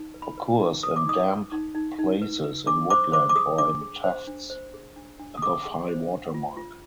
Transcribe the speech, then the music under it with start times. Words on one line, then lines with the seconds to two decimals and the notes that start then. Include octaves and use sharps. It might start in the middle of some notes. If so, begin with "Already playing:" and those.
Occurs in damp places in woodland or in tufts above high water mark.
Already playing: D#4
0.14 B4
0.22 B5
0.38 B4
0.60 D#4
0.83 B4 D#6
0.96 D6
1.06 D#4 D#6
1.29 B4
1.52 D#4
1.75 D#4
1.99 D#4
2.22 B4
2.44 B4
2.66 D4 D6
2.90 C5 D6
3.12 C5 D6
3.29 D6
3.35 G#4 D#6
3.58 D4 D6
3.81 G#4
4.04 C5
4.27 D4
4.50 C5
4.74 G#4
4.96 D4
5.20 D4
5.37 D#6
5.42 G#4 D6
5.65 G#4
5.89 C5
6.11 D4
6.34 F4
6.57 F4